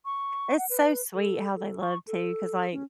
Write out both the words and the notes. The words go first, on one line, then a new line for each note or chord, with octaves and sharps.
It's so sweet how they love too, 'cause, like,
C#6
F#5
B4
A4
A4
C#6
A4
C#4